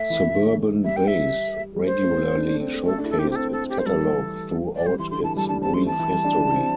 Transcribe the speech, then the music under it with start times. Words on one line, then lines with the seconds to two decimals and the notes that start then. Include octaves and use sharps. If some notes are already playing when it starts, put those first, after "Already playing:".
Suburban Base regularly showcased its catalogue throughout its brief history.
Already playing: A3 E5
0.10 E3
0.29 E3
0.34 D3
0.84 G3 E5
0.96 G5
1.07 E5
1.76 G3
1.85 A3 C5
2.03 A3
2.10 C4
2.35 D4
2.48 D4
2.54 A3
2.60 C4
2.73 A3
2.86 A3 A4
2.98 D4
3.04 E4
3.10 D4 A4
3.19 G4
3.23 C4
3.31 G4
3.36 C4 A4
3.52 A4
3.69 G4
3.79 C5
3.82 A3
3.86 G3 A4
4.04 G3
4.11 E3
4.75 D5
4.86 G3 C5
4.99 E3 C6
5.11 D3 C6
5.23 E3 A5
5.37 G3 A5
5.49 D4 A5
5.61 C4 A5
5.74 A3 C6
5.86 E3 A5
5.99 E3
6.12 G3
6.24 D4
6.37 E4
6.54 C4